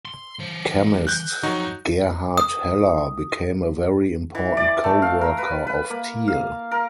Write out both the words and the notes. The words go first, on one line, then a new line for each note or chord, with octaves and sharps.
Chemist Gerhard Heller became a very important co-worker of Thiel.
C6
E3 C5
F#6 G6
F2 F#3 D#4 F#4
D#6
E3
D5
A3
F5
A#4
B4
B4
A#3
F5
A#4